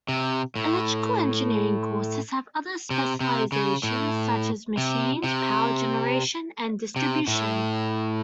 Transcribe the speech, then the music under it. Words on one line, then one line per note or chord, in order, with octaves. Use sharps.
"Electrical" engineering courses have other specializations such as machines, power generation and distribution.
C3
A2
C3
C3
C#3
A2
C3
C3
C3
A2